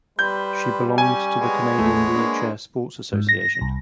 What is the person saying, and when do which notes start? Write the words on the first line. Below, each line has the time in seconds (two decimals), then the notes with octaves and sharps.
She belonged to the Canadian Wheelchair Sports Association.
0.19 G3 B4 C5 G6
0.98 C#4 G#5
1.40 G#3 B3 C#5
1.79 A1 E2 A3
2.15 A#3 D4
3.13 G#2
3.29 A#6
3.61 C2